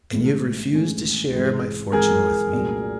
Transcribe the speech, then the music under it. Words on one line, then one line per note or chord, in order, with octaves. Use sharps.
"And you have refused to share my fortune with me."
A2 E3 G#3 C#4
A2 E3 G#3 C#4
G#2 E3 G#3 C4
G#2 E3 G#3 C4 G#4 A#4
C2 A#2 F#3 A3 C#4